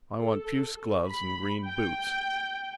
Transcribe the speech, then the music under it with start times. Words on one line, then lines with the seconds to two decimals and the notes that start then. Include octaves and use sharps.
I want puce gloves and green boots.
0.19 A4
1.08 B5
1.65 G5